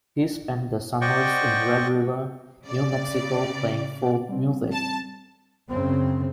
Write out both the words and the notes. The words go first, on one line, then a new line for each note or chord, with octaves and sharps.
He spent the summers in Red River, New Mexico playing folk music.
C5 D5 D#5 F#5 G5 C#6
C#3 D5
G3 C4
A5
F#2 C#3 C4